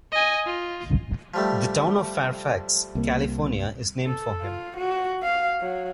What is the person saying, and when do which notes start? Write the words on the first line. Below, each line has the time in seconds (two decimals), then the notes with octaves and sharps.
The town of Fairfax, California, is named for him.
0.12 D#5 G#5
0.46 F4
1.34 F3 G3 A3
2.95 C2 A#3
4.06 A4
4.42 F4
4.77 F#4
5.23 F5
5.61 F#3